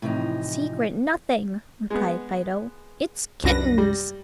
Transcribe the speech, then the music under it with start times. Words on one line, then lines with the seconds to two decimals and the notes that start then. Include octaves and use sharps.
"Secret nothing," replied Fido, "It's kittens!"
0.02 A2 C3 E3 F3 D#4
1.90 G#3 B3
3.44 C2 F#2 D4 B4 A#6
3.78 G3